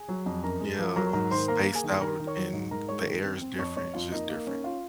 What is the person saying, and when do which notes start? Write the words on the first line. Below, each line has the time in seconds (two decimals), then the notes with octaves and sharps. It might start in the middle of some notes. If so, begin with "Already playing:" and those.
Yeah, spaced out and the air is different it's just different.
Already playing: G#4 G#5
0.09 F#3
0.26 F2
0.43 F#2 A#4 A#5
0.61 G#3
0.79 F3
0.96 F#3 A#4 A#5
1.13 G#2 A#4 A#5
1.31 D#3 C5 C6
1.48 A#3 A#4 A#5
1.66 A#3
1.75 G#4 G#5
1.84 D#3
2.01 D#3 A#4 A#5
2.19 D#3
2.27 C#5 C#6
2.36 F#3
2.53 G#2
2.71 G#2 A#4 A#5
2.88 G#3 C#5 C#6
3.07 D#3
3.24 C4
3.42 C4
3.59 F2 C#5 C#6
3.76 F2 C#5 C#6
3.94 F2 F4 F5
4.12 A#3 D#4 D#5
4.29 A#3
4.47 C#4
4.64 F4 F5